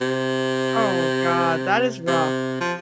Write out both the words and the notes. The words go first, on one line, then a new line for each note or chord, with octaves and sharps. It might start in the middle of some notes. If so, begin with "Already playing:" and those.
Oh god, that is rough.
C3
C3
F3